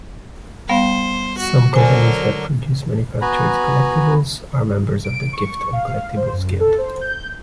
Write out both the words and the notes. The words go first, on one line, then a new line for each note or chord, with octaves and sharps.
Some companies that produce manufactured collectables are members of The Gift and Collectibles Guild.
G3 B3 C5 F5
F#4
D3 F#3 A#4 C5 G#5
B3 F#4 B4 G#5 A#5 B5
D7
C#6
F5
C5
F#2
A4
C5
G6